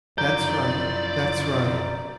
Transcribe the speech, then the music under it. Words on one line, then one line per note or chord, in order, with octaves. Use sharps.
That's right, that's right.
F#2 F3 E4 A#4 D5 G6